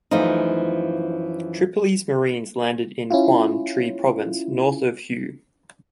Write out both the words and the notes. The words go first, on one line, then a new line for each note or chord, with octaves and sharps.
"Tripoli"'s Marines landed in Quang Tri province, north of Hue.
F#2 E3 F3 A3 D#4
C#4 E4 F4